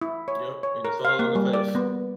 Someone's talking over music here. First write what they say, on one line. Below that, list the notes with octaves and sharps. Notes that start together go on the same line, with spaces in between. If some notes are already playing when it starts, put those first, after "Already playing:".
Yep, and it's all on the face.
E4
C#5
C#5
A#4
F5
A#3
G3
D5
B3